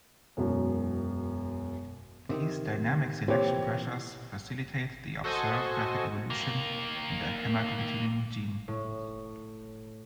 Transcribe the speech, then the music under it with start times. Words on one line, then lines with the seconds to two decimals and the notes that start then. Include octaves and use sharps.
These dynamic selection pressures facilitate the observed rapid evolution in the hemagglutinin gene.
0.37 E1 F#2
2.29 C3 D#3
3.28 A#2 E3 C4 G4 C#5
5.24 F#4 A4 C5 D#5 G#5 C#6
6.30 D#3 A#3
8.68 A2